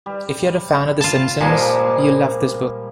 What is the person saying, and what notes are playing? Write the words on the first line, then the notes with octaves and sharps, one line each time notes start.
If you're a fan of "The Simpsons", you'll love this book.
G3
F4 A5
A#2 F3 G3 G#3 A#3